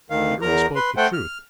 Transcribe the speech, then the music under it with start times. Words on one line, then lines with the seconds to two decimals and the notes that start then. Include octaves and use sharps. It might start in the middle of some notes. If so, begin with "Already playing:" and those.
The earl spoke the truth.
0.10 D2 D#3 F5
0.42 E2 A#4 A#5
0.76 B4 C6
0.97 A3 C5 F#5 G5
1.13 F6